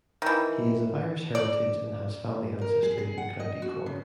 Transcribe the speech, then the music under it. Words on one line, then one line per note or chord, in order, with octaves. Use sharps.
He is of Irish heritage and has family ancestry in County Cork.
D#3 E3
D5
A#4
G#4
G#4
F#5
D#5
F#4
C#3